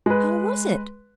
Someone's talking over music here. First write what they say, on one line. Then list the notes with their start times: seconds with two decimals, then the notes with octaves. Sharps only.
How was it?
0.06 G#3 B4